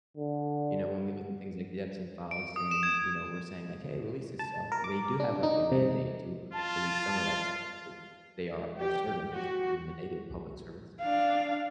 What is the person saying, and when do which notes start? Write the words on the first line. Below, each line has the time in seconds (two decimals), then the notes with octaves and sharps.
you know, when we look at things like the Epstein files and, you know, we're saying like, "Hey, release this stuff," they do have, like, a mandate to release some of that stuff because they are our servants, at the end of the day, they're public servants.
0.17 D3
2.31 D7
2.56 D#6
2.71 E7
2.83 G#6
4.39 A5
4.72 A#4
4.84 D6
5.20 D4
5.43 D#4
5.72 C3
6.53 F4 A5
8.76 G4
9.33 F#4
11.01 D4 F5